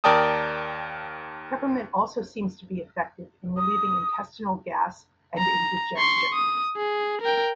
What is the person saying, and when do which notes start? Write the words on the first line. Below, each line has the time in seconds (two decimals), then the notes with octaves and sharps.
Peppermint also seems to be effective in relieving intestinal gas and indigestion.
0.04 D#2 A#4 D5 G5 A5 D#6
3.56 D#6
5.38 A#5
5.97 C6 C#6
6.34 D#6
6.76 G#4
7.21 A#4 G5